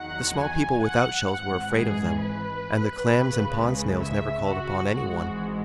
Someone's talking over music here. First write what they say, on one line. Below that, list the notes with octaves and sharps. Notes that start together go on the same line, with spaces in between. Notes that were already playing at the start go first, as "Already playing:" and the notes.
The small people without shells were afraid of them, and the Clams and Pond Snails never called upon any one.
Already playing: E2 D#3 F#3 F#5
G#5
F#5
G#1 G#2 E3 F#5
G#4
B4
C#2 C#3 G#3
E5
F#4
G#1 G#2 E3 G#3 F#4